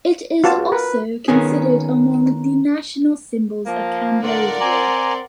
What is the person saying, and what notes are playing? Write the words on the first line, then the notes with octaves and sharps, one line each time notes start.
It is also considered among the national symbols of Cambodia.
G2 F4 F#4 A5
C#2
A#4 B4
D#3 B3 C#4 G#4
F3 A#3
A2 D3 F4 A#4 D5 F#5
C4 G#5 A#5 C6 D6